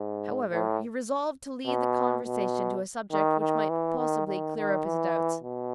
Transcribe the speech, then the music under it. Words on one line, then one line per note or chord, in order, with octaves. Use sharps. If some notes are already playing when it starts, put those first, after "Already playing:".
However, he resolved to lead the conversation to a subject which might possibly clear up his doubts.
Already playing: G#2
A2
B2
B2
D#3
D#3
E3
D#3
D#3
D#3
E3
B2